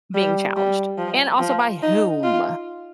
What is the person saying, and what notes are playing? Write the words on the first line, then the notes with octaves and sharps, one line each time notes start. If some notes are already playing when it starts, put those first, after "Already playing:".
being challenged. And, also by whom.
G3
G3
F3
F3
D#4
F4